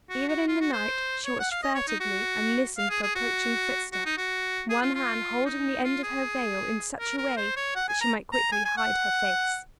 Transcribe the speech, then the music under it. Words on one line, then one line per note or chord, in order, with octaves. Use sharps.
Even in the night, she watched furtively and listened for approaching footsteps, one hand holding the end of her veil in such a way that she might quickly hide her face.
F#4
F#4
F4
F#4
C5
C#5
F#5
F5
D#5
C#5
D#4
F#4
F5
G#4
G#4
F#4
F#4
D#4
F#4
G#4
F4
F4
D#4
F4
G#4
A#4
A#4
C5
C#5
F#5
G#5
A#5
A#5
G#5
G#5
F#5